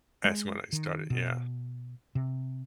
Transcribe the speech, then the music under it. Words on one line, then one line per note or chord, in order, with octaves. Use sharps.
as when I started, yeah.
G#3
D#3
B2
C3